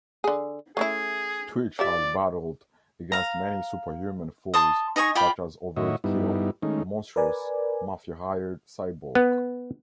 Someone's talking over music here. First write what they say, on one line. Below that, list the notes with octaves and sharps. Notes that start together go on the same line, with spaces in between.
Twitch has battled against many super-human foes such as Overt-Kill, a monstrous, mafia-hired cyborg.
D3 G#4
A3 C#4 E4 G#4
F3 G4 D5 E5
F5 A#5
A5 C6 D#6
D#4 D#5 G#5 C#6
F4 D5 G5 B5
A2 D#3 F#4 C#5 D#5 E5
G2 G3 B3 D#4 E4
D#3 G#3 A3 C#4 D#4
A#4 B4 D5 G#5
B3